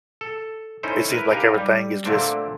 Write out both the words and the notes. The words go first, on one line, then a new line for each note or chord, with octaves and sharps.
it seems like everything is just
A4
C#4 D#4 E4 A4 C5
E4 A#4 B4
D#4 G4 A#4 B4 F5 G#5
G3
A#2 D3 A3 A#3 C4 D4